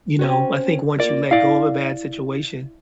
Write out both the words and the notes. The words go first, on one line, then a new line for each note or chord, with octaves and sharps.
you know, I think once you let go of a bad situation,
C4 C#4 F#4
A#3 F4 D5
E4 D5 F5